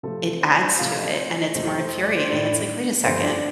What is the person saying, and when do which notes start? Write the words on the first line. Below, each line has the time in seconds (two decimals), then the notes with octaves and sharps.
it adds to it, and it's more infuriating. It's like, "Wait a second.
0.03 C3 F3 A3 A4
0.41 C5
0.51 D5
0.60 C5
0.79 C3 F3 A3 F4 F5
1.16 C5
1.54 F2 C3 A3 C5
1.67 A4
1.79 C5
2.03 D5
2.16 C5
2.29 A2 A3 D4 D5
3.04 G2 D3 F3 A3 C5
3.23 D4 D5